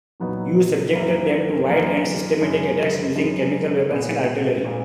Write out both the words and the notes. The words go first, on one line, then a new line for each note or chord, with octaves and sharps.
You subjected them to wide and systematic attacks using chemical weapons and artillery.
A#2 F#3 B3 D#4
F#2 E3 A#3 E4
F#2 E3 A#3 E4
F#2 C#3 G#3 C#4
F#2 C#3 G#3 C#4
A#2 G#3 B3
A#2 G#3 B3